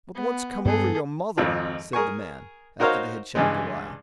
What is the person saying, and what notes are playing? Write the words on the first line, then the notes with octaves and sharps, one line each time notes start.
'But what's come over your mother?' said the man, after they had chattered a while.
B3
G2 B3 G#4 A4
G#1 F2 F3
G#4 A#4 G#5 C#6
D#4 F#4 A#4 C5 C#5 F5
G2 C#3 E3 G#3